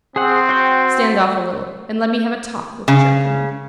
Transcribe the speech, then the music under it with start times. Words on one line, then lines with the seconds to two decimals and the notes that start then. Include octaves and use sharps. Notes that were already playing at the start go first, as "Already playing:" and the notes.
"Stand off a little, and let me have a talk with the gentleman."
0.16 C4 G#4 C5 F#5
0.49 F#4 C5 G5
2.88 C#3